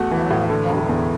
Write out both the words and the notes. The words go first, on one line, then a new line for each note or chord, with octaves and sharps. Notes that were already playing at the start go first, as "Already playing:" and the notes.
Uh, probab
Already playing: E2 A3 F#4
E3
A2
D3
E1
E2